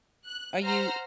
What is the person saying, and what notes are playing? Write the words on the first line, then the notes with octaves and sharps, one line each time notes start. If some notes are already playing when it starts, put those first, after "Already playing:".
Are you
F#6
C5 F#5 A#5 F6